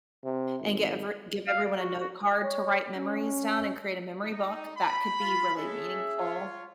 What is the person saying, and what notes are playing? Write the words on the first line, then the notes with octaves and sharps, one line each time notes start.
and get every give everyone a note card to write memories down and create a memory book, that could be really meaningful,
C3
G#1
F5
D5
F#4
F#4
C#5
C#4
D#4
B5
F4
G#3 C#4 G#4 A4 E5
F4 C#5